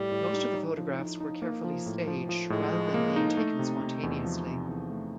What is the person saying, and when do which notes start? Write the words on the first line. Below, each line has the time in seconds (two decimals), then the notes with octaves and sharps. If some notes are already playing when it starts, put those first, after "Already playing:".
Most of the photographs were carefully staged rather than being taken spontaneously.
Already playing: A2 G3
0.12 A2
0.34 D#4
0.55 D#4
0.77 F3
0.99 D#4
1.20 D#4
1.42 A#3
1.64 F3
1.86 A2
2.07 F3
2.29 F3
2.50 A2 G#3
2.73 F3
2.94 A#3
3.16 D#4
3.37 A3
3.59 C3
3.81 C3
4.03 E2
4.25 F3
4.47 C3
4.69 E2
4.90 A3